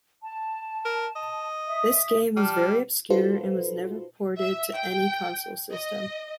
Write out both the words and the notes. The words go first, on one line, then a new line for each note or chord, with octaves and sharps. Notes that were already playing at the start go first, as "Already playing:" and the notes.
This game was very obscure and was never ported to any console system.
A5
A#4
D#5
E5 D#6
G3 A5 F6
D#4 F4 F#4 A4 B4 C5
E5
G5
D#5